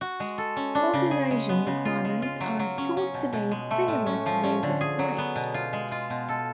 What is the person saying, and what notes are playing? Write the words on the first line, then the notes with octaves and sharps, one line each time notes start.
Cultivation requirements are thought to be similar to those of grapes.
F#4
G#3
A4
C#4
D4
C#3
G#4
G#3
B3
C#3
F4
G#3
F4
F#3
F#3
C#4
C#4
B2
B2
G#3
A3
A2
C#4
F3
C#4
D3
G#4
F#3
B3
B2
F4
G#3
F4
B2
A4